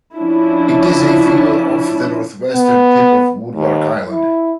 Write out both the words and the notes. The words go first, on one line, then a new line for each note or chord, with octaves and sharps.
It is a few off the northwestern tip of Woodlark Island.
F3 C#4 D4 E4
B3
D#2
E4